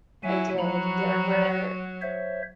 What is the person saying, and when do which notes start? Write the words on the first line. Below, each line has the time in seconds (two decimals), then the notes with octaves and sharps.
I did. There were
0.23 F#3 E4 E5 G#5
0.58 F3 F#3 F#4 A#5 B5
2.01 C5 C#5 E5